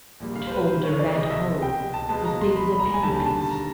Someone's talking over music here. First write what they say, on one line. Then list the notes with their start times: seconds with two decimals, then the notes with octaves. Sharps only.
It formed a red hole, as big as a penny piece.
0.20 A#1 A#2 G3
0.36 F5
0.47 C5
0.51 B4
0.67 C5
0.83 C#5
0.99 D5
1.14 C2 B2 G#3 D#5
1.30 E5
1.62 G5
1.94 A5
2.09 C#2 B2 G#3 A5
2.25 A#5
2.41 C6
2.56 B5
2.72 B5
2.79 A#5
2.94 G#5
3.03 D#2 D3 G3 A5
3.26 A5
3.50 A#5